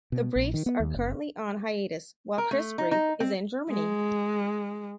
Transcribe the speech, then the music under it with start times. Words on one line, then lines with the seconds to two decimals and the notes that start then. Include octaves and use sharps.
The Briefs are currently on hiatus while Chris Brief is in Germany.
0.12 B2
0.36 A#1
0.54 D#3
0.66 B3
0.80 D#2
0.95 F#1
2.38 A#4
2.51 A3
2.78 D#4
2.91 D#4
3.20 C4
3.70 G#3